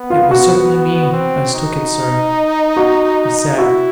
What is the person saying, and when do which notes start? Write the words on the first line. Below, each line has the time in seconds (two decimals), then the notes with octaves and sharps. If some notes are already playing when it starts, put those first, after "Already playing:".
"It was cert'nly me as took it, sir," he said.
Already playing: B3
0.10 F4
0.31 F#4
1.13 C4
1.53 D#4
2.76 F#4
3.58 E4 F#4